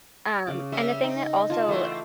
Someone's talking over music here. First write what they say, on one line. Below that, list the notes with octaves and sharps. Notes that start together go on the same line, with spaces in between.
um, and the thing that also,
C#3 D6
G3 C#4 E5
D#4
F4 A5 C#6
E3 A3 C4